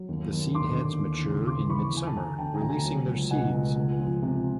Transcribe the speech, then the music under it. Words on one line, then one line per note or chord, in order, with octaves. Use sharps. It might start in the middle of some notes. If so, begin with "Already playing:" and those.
The seed heads mature in mid-summer, releasing their seeds.
Already playing: F#3
D#2
D#2
D3 C6 D6
D#2
E3
C#3
E3 C6 D6
E3 B5 C#6
D2 G#5
A5
D2 G#5 A#5
D3 G5 A5
G#5 A#5
D2
G#5 A#5
F#3
C#2
B2 F#5 G#5
C#2
C#2
F3
C3